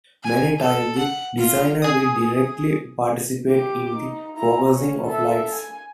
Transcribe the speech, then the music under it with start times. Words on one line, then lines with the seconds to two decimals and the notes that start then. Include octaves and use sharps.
Many times the designer will directly participate in the focusing of lights.
0.23 G#5
0.58 A4
0.97 F#5
1.37 F4
1.82 G#4 D#6
3.50 G4 D6
3.97 D#4
4.37 E4 A#5
4.69 C#4
5.06 A4 E5
5.53 G#5